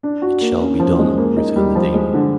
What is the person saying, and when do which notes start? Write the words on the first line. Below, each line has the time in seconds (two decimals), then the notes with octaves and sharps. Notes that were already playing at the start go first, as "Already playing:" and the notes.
"It shall be done," returned the demon.
0.03 D4
0.22 F#4
0.41 A#3
0.61 C#4
0.80 F3
0.99 G#3
1.18 A#3
1.37 D#4
1.56 G3
1.75 F3
1.94 G#3
2.14 D3